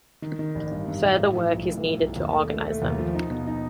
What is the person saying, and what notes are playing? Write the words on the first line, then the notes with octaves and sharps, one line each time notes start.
Further work is needed to organize them.
D#3
D#3
A1
G2
G2
A1
A2
F3
B1
A2
A2
B1
D#2
A3
A3
A3
D#2
F3
D#4
B2
D#4